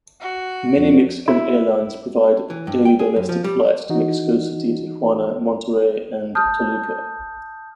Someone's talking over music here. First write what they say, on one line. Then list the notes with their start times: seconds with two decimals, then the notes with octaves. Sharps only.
Many Mexican airlines provide daily domestic flights to Mexico City, Tijuana, Monterrey and Toluca.
0.21 F#4
0.77 F2
1.28 E4
2.50 E3
2.67 G2
2.85 G5
2.99 G#4
3.16 F#2
3.29 F3
3.44 G3
3.90 E3 D#4 F#4
6.35 A5 D#6 F6 G6